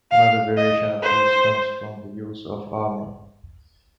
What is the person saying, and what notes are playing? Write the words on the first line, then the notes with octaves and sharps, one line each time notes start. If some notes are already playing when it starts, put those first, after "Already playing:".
Another variation of use comes from the use of armour.
F5
D#5
C5